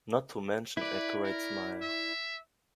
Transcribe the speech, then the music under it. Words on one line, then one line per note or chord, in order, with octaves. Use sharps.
Not to mention a great smile.
E4 B4 D5
A#4
E5